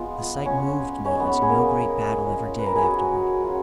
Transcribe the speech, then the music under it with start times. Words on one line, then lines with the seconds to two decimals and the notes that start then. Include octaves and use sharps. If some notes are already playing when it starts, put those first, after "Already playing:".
The sight moved me as no great battle ever did afterward.
Already playing: G#3 B3 F4
0.45 C#4 C#5
1.04 G#3 C#4 D#4 C#5
1.20 B3 B4
1.42 G#4
1.49 A#3 A#4
2.24 G#3 C#4 F4
2.59 B4
2.66 A#4
2.75 G#4
2.83 F#4
3.43 F#3 C#4 F4